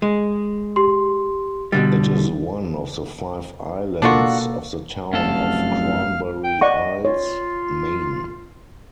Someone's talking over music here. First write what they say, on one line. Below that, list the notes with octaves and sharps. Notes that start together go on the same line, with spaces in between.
It is one of the five islands of the town of Cranberry Isles, Maine.
G#3
G4 C6
B2 D3 G3 A6
B2 A#3 D4 F4 F#4 A4
F1 F#2 A4 F5 F6
G5
D5 D#5 F#5 C#6
F4 C#5